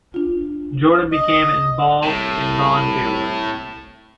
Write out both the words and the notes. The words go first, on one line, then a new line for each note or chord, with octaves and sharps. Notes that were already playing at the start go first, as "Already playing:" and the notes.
Jordan became involved in volunteer work.
D4 F4
D#5
C2 A2